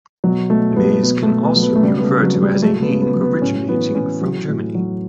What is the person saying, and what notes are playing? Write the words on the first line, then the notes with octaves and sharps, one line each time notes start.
Meis can also be referred to as a name originating from Germany.
B2 F#3
B2 A3
F#3 B3
B2 B3
A3
B2
B3
F#3
B3
A3
C#3 G3
B3
A3
C#3
F#3
F#3
G3
F#3 A3
B3
C#3
B3
F#3
B3
A2 C#4
E3 B3
E3 C#4
F#3
A2
F#3